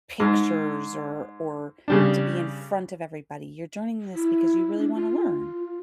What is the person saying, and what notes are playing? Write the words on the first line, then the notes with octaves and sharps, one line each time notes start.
pictures or or to be in front of everybody, you're doing this because you really wanna learn,"
G#2
C#3 G3 D4
E4
D4
F4